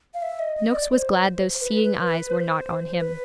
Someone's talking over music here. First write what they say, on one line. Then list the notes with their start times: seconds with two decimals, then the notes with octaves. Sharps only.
Noakes was glad those seeing eyes were not on him.
0.14 F5
0.22 E5
0.39 D#5
0.57 D#5
0.74 D5
0.92 C5
1.61 B4
1.84 B4
2.07 B4
2.30 C5
3.00 B4